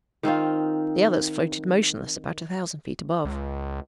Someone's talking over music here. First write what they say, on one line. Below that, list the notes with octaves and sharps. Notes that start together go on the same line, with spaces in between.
The others floated motionless about a thousand feet above.
D#3 C4 D#4 F4
C#2